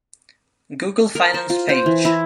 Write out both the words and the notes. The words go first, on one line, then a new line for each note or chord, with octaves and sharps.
Google Finance Page.
A#4
C5
F4
C5
E3
E4